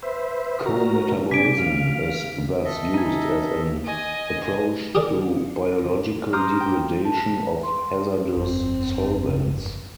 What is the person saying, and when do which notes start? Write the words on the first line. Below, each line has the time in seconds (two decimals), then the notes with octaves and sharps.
Co-metabolism is thus used as an approach to biological degradation of hazardous solvents.
0.02 B4 C5 E5
0.66 F#4 A#4 A#5
1.31 C3 D5 G#5 B6 D7
1.58 F5
2.64 A4 D#5 E5
2.94 D#4 G#5
3.84 D#5 G#5
4.95 G4 G#4 A#4 D5
6.33 A#5 C6 D6 D#6 F6 G6
6.60 G5
7.05 A5
7.63 C6
8.37 G1 F2 F3 C4